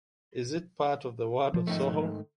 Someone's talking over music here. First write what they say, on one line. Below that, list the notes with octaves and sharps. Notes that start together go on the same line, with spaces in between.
It is part of the ward of Soho.
F3
G#2 D#3 A3